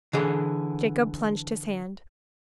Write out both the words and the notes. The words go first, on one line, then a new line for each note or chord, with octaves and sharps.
Jacob plunged his hand.
D3 E3 G#4